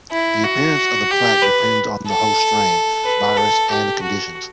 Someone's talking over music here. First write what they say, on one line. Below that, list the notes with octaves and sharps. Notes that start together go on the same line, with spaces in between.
The appearance of the plaque depends on the host strain, virus and the conditions.
E4
F#4
G4
B4
A4
B4
A4
G4
F#4